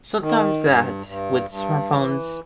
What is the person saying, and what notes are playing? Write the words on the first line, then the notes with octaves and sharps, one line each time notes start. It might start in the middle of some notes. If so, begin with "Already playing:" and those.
sometimes that with smartphones
D#3
G2
G2
G2
E3